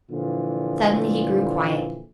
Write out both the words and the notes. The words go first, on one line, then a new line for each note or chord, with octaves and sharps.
Suddenly he grew quiet.
A#2 D3 E3 F3